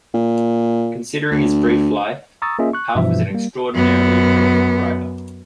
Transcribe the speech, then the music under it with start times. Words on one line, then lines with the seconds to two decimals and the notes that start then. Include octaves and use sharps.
Considering his brief life, Hauff was an extraordinarily prolific writer.
0.14 A#2
1.32 D2
2.42 A#5 C#6 D#6 E6 A6
2.59 A#3 C#4 F4 G#4 D#5 E5
2.73 C#6 F#6
2.95 G2 B2 E3 F3 E5
3.30 G3 A#3
3.75 F#2 B3